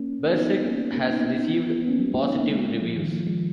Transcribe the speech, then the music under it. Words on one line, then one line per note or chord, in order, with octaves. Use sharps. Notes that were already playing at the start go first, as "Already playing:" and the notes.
Bersirc has received positive reviews.
Already playing: A#3 C#4
B3 D#4
A#3 C#4
A#3 C#4
B3 D#4
B3 D#4
B3
A#3 C#4
B3
F#3 A#3
G#3 B3
A#3 C#4
B3 D#4
A#3 C#4
G#3 B3
F3
D#3
F3
F3 G#3